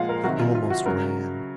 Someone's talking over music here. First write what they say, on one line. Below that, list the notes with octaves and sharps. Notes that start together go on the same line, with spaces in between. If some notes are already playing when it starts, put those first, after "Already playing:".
He almost ran.
Already playing: A#2 F3 G#3 F5 F#5
A#4
C3 D#3 F#3 F#4
F4
F4
F#4
C#3 F#3 A#4